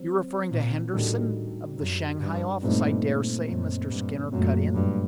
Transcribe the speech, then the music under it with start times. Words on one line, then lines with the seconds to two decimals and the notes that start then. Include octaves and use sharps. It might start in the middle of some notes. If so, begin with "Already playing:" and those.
"You're referring to Henderson, of the Shanghai office, I dare say," Mr. Skinner cut in.
Already playing: F#3 C4
0.51 A#2
0.93 A2 D#3 G3 D4 F#4 A4
1.78 F#2
2.21 G2
2.62 G2 A#2 A3 C4 D#4
3.48 F#2
3.90 G2
4.32 F#2 A#2 F#3 A3
4.74 G2